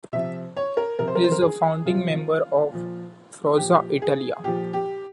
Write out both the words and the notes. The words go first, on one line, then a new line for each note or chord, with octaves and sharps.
He is a founding member of Forza Italia.
C3 F3 E5
C#5
A#4
C3 F3 A#4
C5
A#4
C5
A#4
G#4
C3 F3 F4
A#2 F3
A#2 F3 G4
G#4
A#2 F3 G4
G4